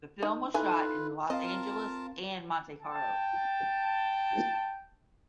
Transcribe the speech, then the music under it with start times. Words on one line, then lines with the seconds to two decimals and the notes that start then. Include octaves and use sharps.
The film was shot in Los Angeles and Monte Carlo.
0.23 D#4
0.54 E3 D#4 F4 A4 B4 G#5
1.30 C4 F4 A#4 D#5 F5 A5
2.83 G5 A5